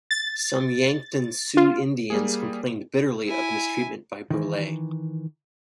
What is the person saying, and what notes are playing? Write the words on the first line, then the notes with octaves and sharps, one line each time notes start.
Some Yankton Sioux Indians complained bitterly of mistreatment by Burleigh.
A6
F4
G3 A#3 G#4
E4 G#5
D#3 E3